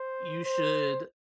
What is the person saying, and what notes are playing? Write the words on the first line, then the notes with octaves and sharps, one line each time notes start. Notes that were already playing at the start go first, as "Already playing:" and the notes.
you should
Already playing: C5
C5